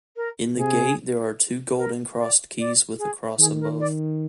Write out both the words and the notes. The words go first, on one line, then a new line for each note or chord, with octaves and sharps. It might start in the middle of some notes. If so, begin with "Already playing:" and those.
In the gate there are two golden crossed keys with a cross above.
A#4
C3 G#4
A#4
D5
D5
G#4
D#3 G#4
A#4
D5